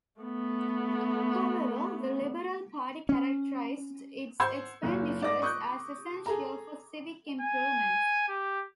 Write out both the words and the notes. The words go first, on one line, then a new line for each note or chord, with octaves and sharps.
However, the Liberal Party characterized its expenditures as essential for civic improvements.
A3 B3
C#4
C5 F#5 C6 E6 G6 G#6
F#1 A#2
G#2 D5 D#5 D6 A#6
C#6 D#6 F#6 G6
G#4 A4 A#5
G#5
G4